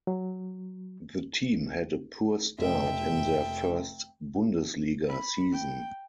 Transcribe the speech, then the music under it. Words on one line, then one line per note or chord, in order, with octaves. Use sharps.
The team had a poor start in their first Bundesliga season.
F#3
F1 D#5 E5 G5
B5
G5